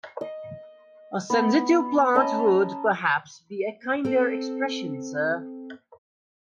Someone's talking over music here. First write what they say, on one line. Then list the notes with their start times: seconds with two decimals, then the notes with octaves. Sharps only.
A sensitive plant would, perhaps, be a kinder expression, sir.
0.21 D#5
1.30 B3
2.15 C#4 D#5 A5 A#5
4.05 C4 A4